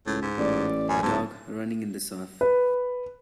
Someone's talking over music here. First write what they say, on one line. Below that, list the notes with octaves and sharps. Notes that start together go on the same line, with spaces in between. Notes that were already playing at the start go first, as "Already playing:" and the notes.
A dog running in the surf.
C#2 A2
G#2
A1 D5
F#2 G#5
D1 G#2 A5
B4